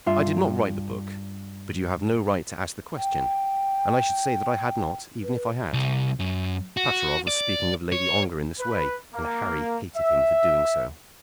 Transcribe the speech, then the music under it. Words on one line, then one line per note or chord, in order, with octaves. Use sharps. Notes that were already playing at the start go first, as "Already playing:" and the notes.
"I did not write the book--but you have no right to ask the question; and I should say that I had not, even if I had." Pateroff was speaking of Lady Ongar in this way, and Harry hated him for doing so.
G2 F4 E5
G5
B4
C2
F#2
F#4
D5
C#5
B4
A#3
E5